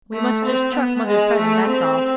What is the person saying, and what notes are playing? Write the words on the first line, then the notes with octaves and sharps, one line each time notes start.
We must just chuck mother's present, that's all.
A3
C4
B3
G#3
A3
C4